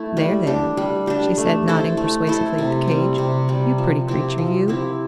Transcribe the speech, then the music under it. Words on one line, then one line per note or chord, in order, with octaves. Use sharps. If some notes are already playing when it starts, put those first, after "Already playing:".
There, there," she said, nodding persuasively at the cage, "you pretty creature you!
Already playing: A3 E4
G3
D4 G4
G3
D4 G4
A3
E4 A4 C5
A3
E4 A4 C5
C3
G3 C4
C3
G3 C4
F3
C4 E4 G4
F3
C4 E4 G4